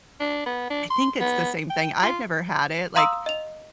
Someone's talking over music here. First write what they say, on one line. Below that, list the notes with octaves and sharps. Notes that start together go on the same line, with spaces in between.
I think it's the same thing. I've never had it, like,
D4
B3
D4
C6
B3
G5
F4
F5 A#5 C6 D#6 E6
D#5 F7